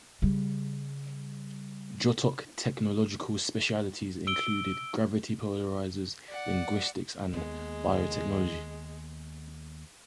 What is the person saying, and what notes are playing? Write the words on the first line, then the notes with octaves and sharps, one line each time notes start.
Jotok technological specialties included gravity polarizers, linguistics and biotechnology.
C#3 G3
E6 D7 G7
D5 F#5
D#2 G#3 B3